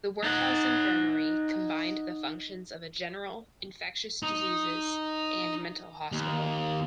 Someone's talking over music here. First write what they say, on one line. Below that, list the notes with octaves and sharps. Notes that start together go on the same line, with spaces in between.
The workhouse infirmary combined the functions of a general, infectious diseases, and mental hospital.
D#4 F#5
D#4
D#2